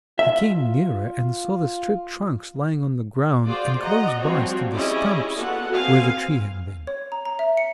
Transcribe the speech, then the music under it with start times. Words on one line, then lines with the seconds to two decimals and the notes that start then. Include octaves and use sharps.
He came nearer, and saw the stripped trunks lying on the ground, and close by stood the stumps, where the tree had been.
0.19 F4 E5
3.47 F4 F#4 G#4 C5 D5
3.82 D#5 F#5 A#5
4.21 F3 G3 C4 F#4 C#5
4.74 C#4 E4 G4 G#4 D5 D#5
5.38 B3 F4 F#4 A4 F#5
5.72 B3 C4 F5 G#5
6.87 C#5
7.12 A#5
7.25 A#5
7.39 E5
7.57 C#7